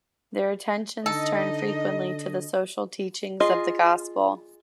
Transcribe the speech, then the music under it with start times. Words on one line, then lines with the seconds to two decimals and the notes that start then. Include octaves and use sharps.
Their attentions turned frequently to the social teachings of the Gospel.
1.06 D3 D#4 A4 D#5
3.40 F4 G#4 D#5